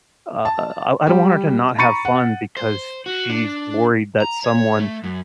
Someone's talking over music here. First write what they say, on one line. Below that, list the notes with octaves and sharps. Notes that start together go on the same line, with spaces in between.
uh, I I don't want her to not have fun because she's worried that someone
A5
G3 G4
A#5 B5 C#6 A6 C#7 D#7
F#5
C5
F#4
D4
A#5
C#5
A3
F#2